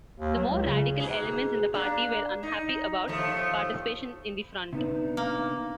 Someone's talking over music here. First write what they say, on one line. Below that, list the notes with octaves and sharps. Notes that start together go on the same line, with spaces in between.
The more radical elements in the party were unhappy about participation in the Front.
D#2
F#3
C#2
C#3
G#2 B2 G#4
A#3 D4
D#4
D#2 F3 A3
C3 B3 D4 D#4
A#3